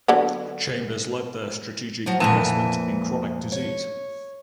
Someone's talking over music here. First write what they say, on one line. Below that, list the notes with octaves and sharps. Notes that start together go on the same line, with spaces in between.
Chambers led their "Strategic Investment in Chronic Disease".
D3 F#3 B3
F3 F#3
F2 A#2 E3 A#3 G#5 A5
C#5